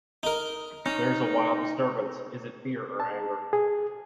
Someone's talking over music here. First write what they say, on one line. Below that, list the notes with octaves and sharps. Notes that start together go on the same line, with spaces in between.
There is a wild disturbance — is it fear or anger?
D#4 A#4
C#4 D#4
A5
G#4